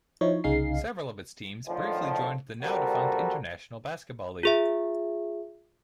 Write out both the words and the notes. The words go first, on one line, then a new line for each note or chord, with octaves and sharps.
Several of its teams briefly joined the now-defunct International Basketball League.
F3 D#4 E4 C#5
C2 C#3 D#4 G#4 F5 C7
F2 A2 D3 D#3 F3
A#2 G3 C4 F#4 A4 A#4
F4 G#4 E5